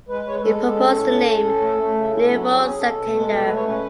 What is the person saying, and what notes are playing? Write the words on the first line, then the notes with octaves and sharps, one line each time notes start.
He proposed the name "Nuevo Santander".
G#3 B4
G#3 C#5
B4
G#3 A4
G#3
C#4
A2
C#4
C#4
C#4
A3
A3
C#3
C#4 E4
F#3
F#4
C#4
G#4
C#4
B2 A4
B2
G#3
B2
A3 B4
C#5
C#4 B4